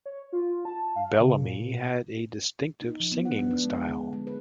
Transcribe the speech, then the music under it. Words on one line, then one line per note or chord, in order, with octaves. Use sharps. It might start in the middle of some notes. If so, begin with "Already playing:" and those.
Bellamy had a distinctive singing style.
C#5
F4
A5
F5
C#3
A#2
D#4
F3
B3
F#5
B3
D4
G#3
G#3
D3
G#3
B4